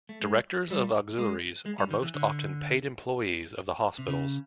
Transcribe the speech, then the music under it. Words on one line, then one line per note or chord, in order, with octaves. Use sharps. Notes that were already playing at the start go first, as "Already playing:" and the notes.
Directors of auxiliaries are most often paid employees of the hospitals.
A3
G#3
G3
G#3
G#3
G3
D#3
E3
D3
C3
C#3